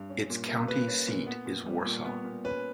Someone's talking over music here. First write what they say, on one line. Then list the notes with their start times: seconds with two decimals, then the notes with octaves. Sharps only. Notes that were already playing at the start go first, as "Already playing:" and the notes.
Its county seat is Warsaw.
Already playing: G2
0.10 C#4
0.30 A#2
0.49 A#3
0.68 A#2 B4
0.88 C#4
1.08 A#2
1.27 B3
1.46 A#2
1.66 G3
1.85 A#2
2.05 B3
2.24 A#2
2.44 C#4 B4